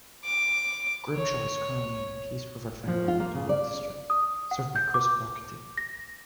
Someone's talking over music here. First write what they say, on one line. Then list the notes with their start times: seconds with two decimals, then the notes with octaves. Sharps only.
Grimshaw is currently in the Peace River federal electoral district, served by Chris Warkentin.
0.25 D6
1.16 C#5
2.87 F3
3.08 F4
3.20 A#3
3.35 C#3
3.49 D5
4.10 D#6
4.51 F#5
4.76 G6
4.94 D6
5.78 A#6